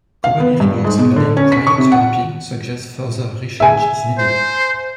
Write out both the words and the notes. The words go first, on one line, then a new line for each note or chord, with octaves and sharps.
Commonly reports regarding cryotherapy suggest further research is needed.
F5
B3
G2
G#2
B2
D3
C#4
B6
C#6
C3
F#5
E5 G#5
C5